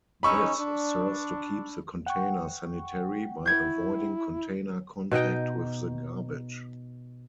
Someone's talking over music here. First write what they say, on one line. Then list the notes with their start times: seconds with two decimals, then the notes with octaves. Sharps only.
This serves to keep the container sanitary by avoiding container contact with the garbage.
0.23 G#3 C#4 D#4 B5 C#6 E6
0.59 D4
2.06 F#5 G5 C#6
3.46 E4 G6 G#6
5.11 B2 D#4 D#5 G5